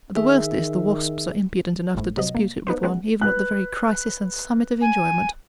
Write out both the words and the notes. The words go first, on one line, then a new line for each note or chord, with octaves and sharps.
The worst is, the wasps are impudent enough to dispute it with one, even at the very crisis and summit of enjoyment.
D#3 G#4 E5
G#1 A2
C3 F#3 D#5
A#3
B3 D#4 B4 C5
G#3 B3 C#4 F#4
B4 F#6
G#5